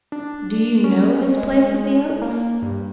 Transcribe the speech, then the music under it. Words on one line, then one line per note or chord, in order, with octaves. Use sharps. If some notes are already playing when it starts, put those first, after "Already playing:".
Do you know this place of the oaks?
D4
C#4
G#3
A#3
G2